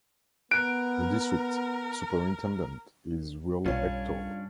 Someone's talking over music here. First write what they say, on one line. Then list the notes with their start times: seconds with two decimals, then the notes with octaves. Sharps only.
The district's superintendent is Will Ector.
0.51 B3 A#4 F#6 D7
3.66 B1 G2 C#4 D4 F4 C#5